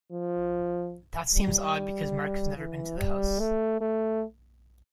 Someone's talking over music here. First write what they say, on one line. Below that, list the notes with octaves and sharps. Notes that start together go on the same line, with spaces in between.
That seems odd because Mark has never been to the house.
F3
G3
E3
G3
A3
A3